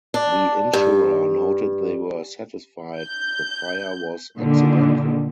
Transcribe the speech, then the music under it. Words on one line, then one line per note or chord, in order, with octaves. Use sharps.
The insurer noted they were satisfied the fire was accidental.
D4
G2
G6
A#2 D3 D#3